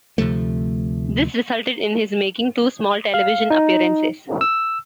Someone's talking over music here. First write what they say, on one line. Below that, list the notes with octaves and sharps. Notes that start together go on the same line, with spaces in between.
This resulted in his making two small television appearances.
D2 C3 F3 A3
F5
D#4
E6